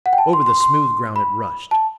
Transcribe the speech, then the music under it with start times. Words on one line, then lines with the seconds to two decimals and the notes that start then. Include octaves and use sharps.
Over the smooth ground it rushed.
0.06 F#5
0.13 G5
0.18 A5
0.33 C6
0.46 C6
0.60 C6
1.16 B5
1.71 A5